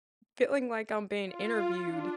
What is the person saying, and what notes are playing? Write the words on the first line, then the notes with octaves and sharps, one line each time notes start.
feeling like I'm being interviewed
F4
D4